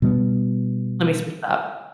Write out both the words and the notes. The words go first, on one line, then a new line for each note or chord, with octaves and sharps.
let me switch it up."
B2 G3 A#3 B3